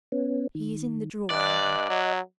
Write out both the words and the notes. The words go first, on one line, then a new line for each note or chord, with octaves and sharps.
He is in the drawing-room.'
B3 C#4
D#3
G2 D5 D#5 F#6
F#3